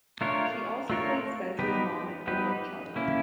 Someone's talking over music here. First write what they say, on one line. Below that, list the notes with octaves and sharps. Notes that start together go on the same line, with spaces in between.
She also played Spencer's mom in "Good Luck Charlie".
A3 D4 F4 A#4 C#5
A3 D4 F4 A#4 C#5
G3 B3 D#4 G4 B4
G3 B3 D#4 G4 B4
A#3 C#4 E4